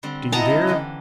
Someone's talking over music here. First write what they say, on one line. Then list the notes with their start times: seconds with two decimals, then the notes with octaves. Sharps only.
Do you hear?
0.03 D3 G3 C4
0.32 B3 C4 E4 F#4 D#5 A5 A#5
0.46 C#3 F3 G#3
0.67 D3 E3 G4